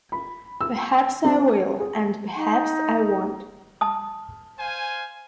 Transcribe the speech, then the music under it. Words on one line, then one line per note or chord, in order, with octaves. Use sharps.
Perhaps I will, and perhaps I won't.
B5
E6
C4
G#4
D#4
A5 D#6
C5 F5 G#5